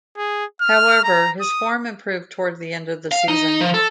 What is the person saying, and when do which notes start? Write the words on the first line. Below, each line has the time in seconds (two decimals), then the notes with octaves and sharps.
However, his form improved toward the end of the season.
0.18 G#4
0.61 F6
1.04 A#5
1.41 D#6
3.12 F5
3.28 D#4
3.61 F3
3.74 A4